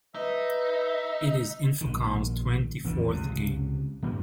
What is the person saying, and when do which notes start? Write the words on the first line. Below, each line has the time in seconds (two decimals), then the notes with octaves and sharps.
It is Infocom's twenty-fourth game.
0.15 D#4 B4 E5
1.81 A#1 D#3
2.84 A1 F2 A2 D3
3.08 C#2 C3
4.03 F#2 A#2 D#3 F3